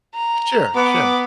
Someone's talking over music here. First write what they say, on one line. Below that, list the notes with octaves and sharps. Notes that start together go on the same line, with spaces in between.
Sure, sure.
A#5
B3 D6